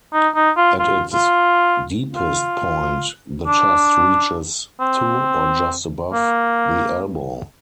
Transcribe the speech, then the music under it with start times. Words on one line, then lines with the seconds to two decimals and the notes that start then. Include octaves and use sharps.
At its deepest point the chest reaches to, or just above, the elbow.
0.14 D#4
0.35 D#4
0.57 F4
0.79 F4
1.14 F4
2.13 F4
3.47 D4
4.80 C4
6.13 A#3